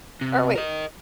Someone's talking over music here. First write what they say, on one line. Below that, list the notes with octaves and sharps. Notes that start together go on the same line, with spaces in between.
Or, wait,
C3
A#4 D#5